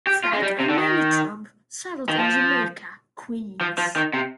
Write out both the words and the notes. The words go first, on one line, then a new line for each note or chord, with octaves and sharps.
Fred and Mary Trump settled in Jamaica, Queens.
G4
F4
G#3
G3
C3
D3
D#3
D#3
F3
F3
F3
D#3
C3